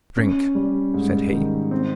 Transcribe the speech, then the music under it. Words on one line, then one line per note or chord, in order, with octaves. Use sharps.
"Drink!" said he.
C#4
G3
G#2
D#3
C4